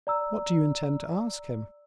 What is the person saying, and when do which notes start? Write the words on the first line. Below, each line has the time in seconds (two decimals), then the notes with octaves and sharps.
"What do you intend to ask him?"
0.07 D5 A#5 E6